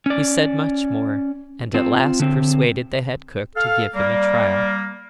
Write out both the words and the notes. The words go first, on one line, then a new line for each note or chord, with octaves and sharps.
He said much more, and at last persuaded the head cook to give him a trial.
C#4 D5
C4 F4
D3 C4
A4 F5
G3 A#3 D5